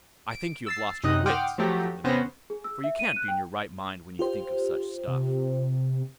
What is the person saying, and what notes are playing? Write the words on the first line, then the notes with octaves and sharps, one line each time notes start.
'I think you've lost your wits', said the man, 'for you can't be in your right mind when you think of such stuff.'
D7
E6 A6 C7
F#2 C3 D#4 D#5 D#6 F#6
F#5 G5 C6 D6 D#6 F6
F3 F#3 A3 G4 A#5
C3 B3 C#4 C5 A#6
G#4
E6
E5
D#7
F#6
G5
F4 G4 C5
C3